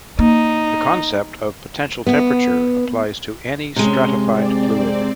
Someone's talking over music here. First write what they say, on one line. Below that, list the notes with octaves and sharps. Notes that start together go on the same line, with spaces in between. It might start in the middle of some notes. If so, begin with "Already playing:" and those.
The concept of potential temperature applies to any stratified fluid.
A#3 D#4
B3
C3 G#3 C#4
C4 D5